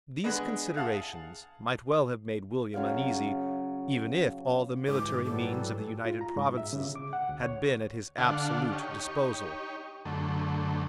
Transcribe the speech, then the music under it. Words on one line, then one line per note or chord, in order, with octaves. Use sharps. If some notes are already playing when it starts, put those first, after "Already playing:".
These considerations might well have made William uneasy; even if all the military means of the United Provinces had been at his absolute disposal.
G#3 B3 D4 G#4 B4 D#5
G#4 F5 F#5 A5
C#3 F#3 C#5 F5
D2 G#2 E3 D6
E3 F#3 G3 A4
F4
A#5
G#2
E5
C#3
D6
F#5
D2
C#5
D3 D4 A4 F5 F#5
D#4 G4 C#5
F#2 D3 A3